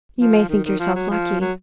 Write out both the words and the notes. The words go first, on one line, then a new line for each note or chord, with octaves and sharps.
'You may think yourselves lucky.'
F3
D#3
D#3
F3
F#3
F3
F#3